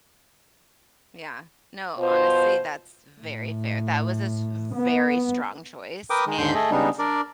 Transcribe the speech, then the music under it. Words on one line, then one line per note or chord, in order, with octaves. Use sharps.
Yeah, no, honestly, that's very fair, that was a s very strong choice and
B2 F4 C5
A2
B3
A#4 B4 G5 D6 D#6
D#3 G#3
D#2 G#2 D3 C6 G6
A3 G#4 A4 D#5
C#3 G3 G#3 B3 D4 D#4
D4 A#4 D5